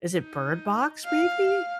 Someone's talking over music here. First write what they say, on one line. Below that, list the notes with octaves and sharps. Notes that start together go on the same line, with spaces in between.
Is it Bird Box maybe?
D#4
F5